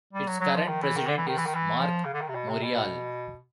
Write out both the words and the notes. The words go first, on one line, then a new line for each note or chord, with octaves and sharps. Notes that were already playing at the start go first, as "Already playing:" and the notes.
Its current President is Marc Morial.
G3
F#3
F#3
F3
D#3
E3
D#3
D3
E3
D#3
E3
D#3
E3
F3
C#3
D3
D#3
C3
B2
C3
B2